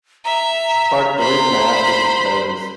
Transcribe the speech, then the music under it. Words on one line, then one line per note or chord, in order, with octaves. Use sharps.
Part the reason I ask is because
E5 A#5
C5 B5